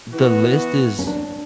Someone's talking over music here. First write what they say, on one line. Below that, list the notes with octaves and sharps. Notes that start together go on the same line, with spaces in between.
the list is
E3 B3 F#4
C#4
D4